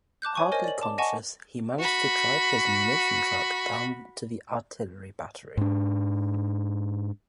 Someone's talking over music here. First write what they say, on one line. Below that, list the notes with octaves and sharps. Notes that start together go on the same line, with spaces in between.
Hardly conscious he managed to drive his munition truck down to the artillery battery.
A5 D6 F#6 G6
C#5 G#5 C#6
A#4 C5 C#5 D#5 G#5
D5 F#7
A5 D6
D#5 F#5 G#5 A5 C#6
F#4 B5
G#2 D4